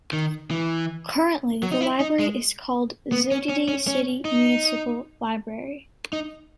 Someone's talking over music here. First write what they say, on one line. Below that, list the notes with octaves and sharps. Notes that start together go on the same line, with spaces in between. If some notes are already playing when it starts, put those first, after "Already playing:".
Currently, the library is called Zugdidi City Municipal Library.
D#3
E3
F#3
D#4
E4
D#4
G#3
B3
C#4
C#4
C#4
C#4
D#4
D#4